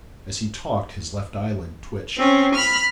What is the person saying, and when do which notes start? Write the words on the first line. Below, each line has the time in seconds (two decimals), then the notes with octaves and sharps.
As he talked his left eyelid twitched.
2.17 C4 C#4
2.54 B5 F6